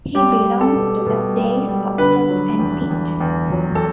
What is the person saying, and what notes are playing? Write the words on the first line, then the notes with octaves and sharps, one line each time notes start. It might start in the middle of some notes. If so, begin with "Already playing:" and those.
He belongs to the days of Fox and Pitt.
G3 G4
G3
A4
B2
B2
G3
G3
D3 B4
F#3
E2
E2
E2
F#3
A4